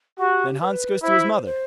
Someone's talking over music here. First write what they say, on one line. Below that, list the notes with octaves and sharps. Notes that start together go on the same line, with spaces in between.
Then Hans goes to his mother.
F#4 G4
B4
E4 C5
C5